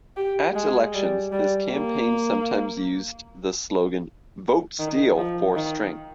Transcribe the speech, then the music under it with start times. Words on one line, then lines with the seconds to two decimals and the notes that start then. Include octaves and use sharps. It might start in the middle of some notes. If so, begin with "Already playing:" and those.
At elections his campaign sometimes used the slogan "Vote Steele For Strength".
0.17 G4
0.55 G#3
0.94 G3
1.32 G3
1.71 A#3
4.79 D#3
5.18 F3
5.56 D#3